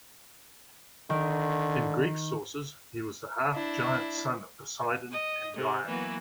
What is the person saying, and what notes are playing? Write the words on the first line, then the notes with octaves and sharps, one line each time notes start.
In Greek sources, he was the half-giant son of Poseidon and Gaia.
D3 D#3
D4 E4
D#5
C3
E3 F#3 A#3 B3 F#4